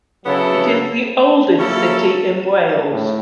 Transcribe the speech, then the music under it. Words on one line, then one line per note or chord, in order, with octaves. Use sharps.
It is the oldest city in Wales.
C#3 F#3 B3 E4 A4
F#3 A#3 C#4 E4 A4
A2